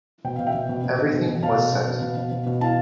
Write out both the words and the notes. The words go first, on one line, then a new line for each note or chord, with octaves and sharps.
Everything was set.
B2 G5
B2 F5
E5 G5
B2
B2
B2
B2
B2
B2
B2 F5 A5
B2
B2
B2
B2
B2
B2
B2
E3 F5 A5